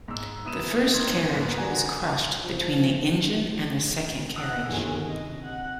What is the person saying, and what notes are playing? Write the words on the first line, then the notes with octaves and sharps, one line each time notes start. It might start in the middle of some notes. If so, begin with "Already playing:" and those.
The first carriage was crushed between the engine and the second carriage.
G#2 E6
B3 E4 D#6 D#7 E7
D#2 D#3 C6 G#6
G#2 A#3 B3
G3 F#4 G#5 A#5 G#6
F3
F#5 D#6 E6
G1 D#2 G#4
C3 D#5
F#5